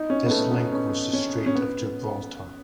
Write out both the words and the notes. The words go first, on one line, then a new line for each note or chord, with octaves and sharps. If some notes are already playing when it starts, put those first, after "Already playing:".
This link was the Strait of Gibraltar.
Already playing: D#4
C#4
B3
A3
B3
C#4
C#4
C#4
B3